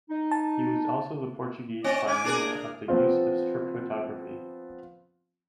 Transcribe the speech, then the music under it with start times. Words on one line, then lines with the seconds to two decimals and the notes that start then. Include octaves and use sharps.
He was also the Portuguese pioneer of the use of strip photography.
0.10 D#4
0.31 A5
1.84 C4 D5 D#5
2.07 C#4 G#5 D6
2.24 D4 G#4 A#4
2.88 F3 B3 C4 F4